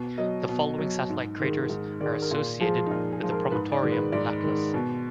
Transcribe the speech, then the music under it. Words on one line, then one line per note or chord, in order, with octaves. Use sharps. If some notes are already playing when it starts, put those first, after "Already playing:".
The following satellite craters are associated with the Promontorium Laplace.
Already playing: B2
F#3 D#5
B2
F#3
G#2
D#3 G#3
G#2
D#3 G#3 D5
A#4
A#2 G#4
F3 G#3 G#4
D#4
A#2 F4
G#4
F3 G#3
A#4
G#2 B4
D5
D#3 G#3
B4
G#2 D5
D#3 G#3
B2